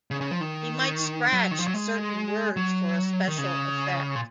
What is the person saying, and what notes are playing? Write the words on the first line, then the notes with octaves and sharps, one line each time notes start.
He might scratch certain words for a special effect.
C#3
C#3
F3
D#3
F#3
D#3
F3
F#3
G#3
F#3
D#3
C#3
A#2